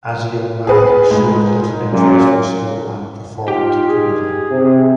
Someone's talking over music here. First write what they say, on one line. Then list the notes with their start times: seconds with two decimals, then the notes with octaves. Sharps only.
As a young man, he showed little interest in school and performed poorly.
0.67 G#4 B4
1.11 G#2
1.92 F#2 A#2
3.48 D#4 F4 G4 G5
3.87 G#4
4.50 C3